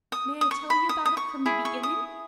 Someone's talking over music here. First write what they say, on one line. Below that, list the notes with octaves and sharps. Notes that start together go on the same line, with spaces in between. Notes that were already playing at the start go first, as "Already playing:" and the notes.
'May I tell you about it from the beginning?'
D#6
D#6
C#6
B5
D#6
D#6
C#6
E4 G#4
C#6
D#6